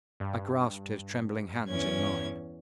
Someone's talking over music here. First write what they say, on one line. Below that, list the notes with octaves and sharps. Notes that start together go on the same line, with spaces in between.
I grasped his trembling hands in mine.
G2
E2 C#4 G#6